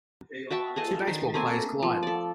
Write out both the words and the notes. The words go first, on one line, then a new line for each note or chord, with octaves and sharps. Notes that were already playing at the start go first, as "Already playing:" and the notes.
Two baseball players collide.
F#4 E5 G5 A5
G#4 A4 D#5
D#3
A3 A#3 C4 G#5
F3
A4 D5